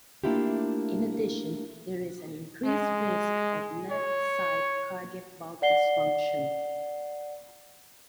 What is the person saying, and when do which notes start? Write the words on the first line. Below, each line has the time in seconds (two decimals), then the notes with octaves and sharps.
In addition, there is an increased risk of left-sided cardiac valve dysfunction.
0.24 A3 A#3 D4 E4 F4 G4
2.66 G#3
3.91 C#5
5.62 D5 F#5 C7 G7